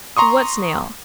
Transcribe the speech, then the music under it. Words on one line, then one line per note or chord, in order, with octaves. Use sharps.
"What snail?"
A#5 C6 C#6 D#6